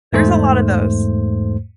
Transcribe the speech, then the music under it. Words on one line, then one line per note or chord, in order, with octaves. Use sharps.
There's a lot of those.
E2 G#2 A3 C5